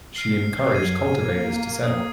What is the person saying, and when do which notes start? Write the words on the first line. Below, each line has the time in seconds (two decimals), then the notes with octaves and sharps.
She encouraged cultivators to settle.
0.16 F6 C7
0.74 F#2 G#6 D#7
1.21 A#3 G#6
1.84 D#6